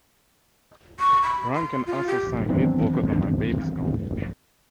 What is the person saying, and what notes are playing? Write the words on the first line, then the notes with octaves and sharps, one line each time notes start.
Ranken also sang lead vocals on "My Baby's Gone".
C#6
B5
C6
F4
G4
D#3 E3 F#3 B3 C4 D4